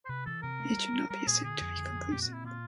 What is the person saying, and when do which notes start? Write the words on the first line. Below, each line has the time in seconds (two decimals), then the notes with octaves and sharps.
It should not be assumed to be conclusive.
0.05 C5
0.09 C3 B4
0.26 E3 A4
0.42 C3 A#4
0.60 A3
0.77 G3
0.93 G3
1.10 G3 A#4
1.27 A#2 G#4
1.43 D3 G#4
1.61 F2
1.77 D3
1.95 F2
2.11 A#2 G4
2.22 F#4
2.28 C4
2.33 E4
2.44 A#2 F4